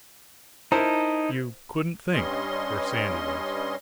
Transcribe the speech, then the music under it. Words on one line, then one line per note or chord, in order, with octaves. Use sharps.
You couldn't think, where Sandy was.
D#4 E4 A#4 C5 A5
G2 G3 C#4 D#5 C6